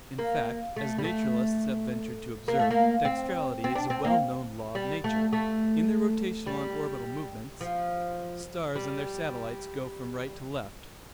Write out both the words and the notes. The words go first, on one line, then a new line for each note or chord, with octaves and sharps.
In fact, as naturalists have ventured to observe, "dextrality" is a well-known law of nature. In their rotational and orbital movements, stars and their satellites go from right to left.
A#3
A3
G3
A3
A#3
A3
A#3
C4
C4
D4
C4
A#3
G3
A3
A3
G3
F3
G3